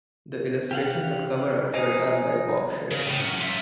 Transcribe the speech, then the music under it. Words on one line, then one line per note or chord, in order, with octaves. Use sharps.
The illustrations and cover art were done by Bob Charrette.
G4 F5 F#5
D#4 G#4 C5 D#5
C#3
A2
F#3 C#4
F4 E5